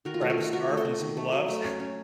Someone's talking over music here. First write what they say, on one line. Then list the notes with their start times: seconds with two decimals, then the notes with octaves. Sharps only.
Grab a scarf and some gloves.
0.05 D#3 F#4 A#4
0.14 F4
0.21 A3 F#4
0.30 F4 A4
0.38 D#3
0.53 D#3 F#4 A#4
0.69 A3
0.77 A4 C5
0.85 A3
1.01 D#3
1.17 A3
1.32 F#3
1.48 A3
1.64 C#4
1.80 C#4